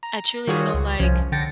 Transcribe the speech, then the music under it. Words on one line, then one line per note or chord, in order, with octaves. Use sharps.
I truly feel like,
A#5
D#3 G3 F4 F#4 G#4 C#5
C#2
C2 F3 C#4
D3 G5 A6 A#6 C#7